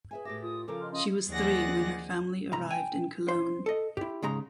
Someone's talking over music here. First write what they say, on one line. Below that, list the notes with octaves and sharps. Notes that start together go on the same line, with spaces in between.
She was three when her family arrived in Cologne.
G#4 B4 E5 G#5
A2 G4 E5 D6 A#6
F4 D#6
C#3 F3 A4 A#4 D6
D#5 C6 F6
C#4 D#5 F5 C6
D#2 F3 G#4 D5 F#5 A#6
C2 G#2 A#5
G5 G#5
C5
A4 D#5
E4 G4
G#2 C#3 G#3 A#5